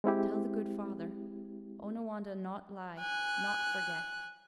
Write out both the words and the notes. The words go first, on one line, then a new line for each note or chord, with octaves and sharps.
Tell the good father, Onawandah not lie, not forget.
G#3 C4 E4 G4
G#5 F#6